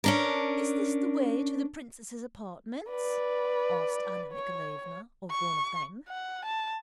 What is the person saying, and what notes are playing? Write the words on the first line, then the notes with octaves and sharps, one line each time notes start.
"Is this the way to the princesses' apartments?" asked Anna Mikhaylovna of one of them.
C#4 D4 A#4
B4 D5
C#5
C#6
F#5
A5